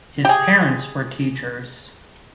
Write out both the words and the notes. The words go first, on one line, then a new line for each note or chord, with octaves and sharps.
His parents were teachers.
G4 G#4